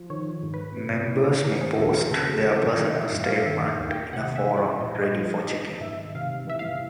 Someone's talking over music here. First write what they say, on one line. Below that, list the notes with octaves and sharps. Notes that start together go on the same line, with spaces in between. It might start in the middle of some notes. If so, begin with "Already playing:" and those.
Members may post their personal statement in a forum ready for checking.
Already playing: F3
D#3 C#5
G#2
B4
C3
E3
D#3 A#4
G#4
D#2 A4
A#4
C#3 A4
G#4
E3
A#4
A4
D#3 A#4
D#5
E5
G2
F5
F5
D#3 E5
F5
D#2
G5
C3 F#5
E5
E3
D5
A#2 D#5
D#5
F3
D#5
D#3 D#5
G#2 E5
C3 F5
E3 E5
F5